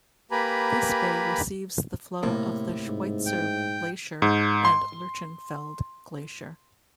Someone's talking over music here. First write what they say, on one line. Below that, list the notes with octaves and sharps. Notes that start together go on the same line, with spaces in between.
This bay receives the flow of the Schweitzer Glacier and Lerchenfeld Glacier.
A#3 G4 B4 G#5 A#5 B5
A2 C3 A#3
G#2
G5
G#2
C6